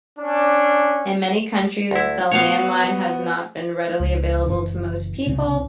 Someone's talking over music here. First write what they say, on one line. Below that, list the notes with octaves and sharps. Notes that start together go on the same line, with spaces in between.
In many countries the landline has not been readily available to most people.
C#4 D4
D2 E4
B3 F#4 C#5 F5
C#2
F#1 F#2 E3
C2 A2 C#3 C4